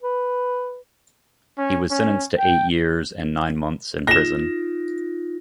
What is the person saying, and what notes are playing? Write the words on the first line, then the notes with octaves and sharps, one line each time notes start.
He was sentenced to eight years and nine months in prison.
B4
C#4
C#4
G5
D#4 F4 A#6 E7